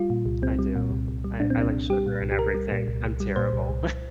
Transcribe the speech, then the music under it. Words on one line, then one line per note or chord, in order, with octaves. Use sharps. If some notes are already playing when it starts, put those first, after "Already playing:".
I do. I I like sugar in everything. I'm terrible.
Already playing: G3 F4
A#2
C2
C2 C4
G3
A#2
C2
C2
G3
A#2 D4
C4
C2 D4
C2
G3 G4
A#2
C2
G4
C2 A#4
G3
A#2
C2
C2
G3
A#2 C5
C2
C2